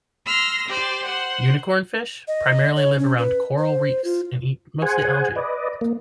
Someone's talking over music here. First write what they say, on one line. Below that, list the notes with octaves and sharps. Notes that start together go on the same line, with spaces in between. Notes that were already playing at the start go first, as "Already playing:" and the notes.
Unicornfish primarily live around coral reefs and eat mostly algae.
C6 E6 F6 A#6
G4 C5 D5
C5 F#5
D#5
C#5
C#4
B4
C5
F4
G#4 C5 F#5 G#5
B4 D5 D#5
A#3